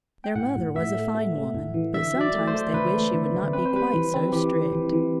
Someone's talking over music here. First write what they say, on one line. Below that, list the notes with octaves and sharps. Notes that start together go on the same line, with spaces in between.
Their mother was a fine woman, but sometimes they wished she would not be quite so strict.
G5
A2 F#5
A2
A2 E5
A3
A3
A3
A2
E3
D3 E5
F#3
D5
A3
C5
A3
D3 B4
A3
D3
D3
C4 B4
C5
G3 B4
E3
C4
E3 G4
E3
E3
E3